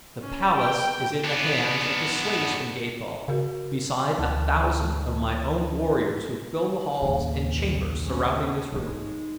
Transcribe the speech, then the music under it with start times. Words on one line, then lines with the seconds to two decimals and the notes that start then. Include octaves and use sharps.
The palace is in the hands of the slaves from Gathol, beside a thousand of my own warriors who fill the halls and chambers surrounding this room.
0.22 C#4
0.55 G5
1.24 B3 D4
3.28 C#3 F#4 A#4 F5
4.18 D2 E3 A5
7.02 D#2 A2
7.49 B1 C#3
8.06 A3 C#4
8.72 G#2 G#3 D#4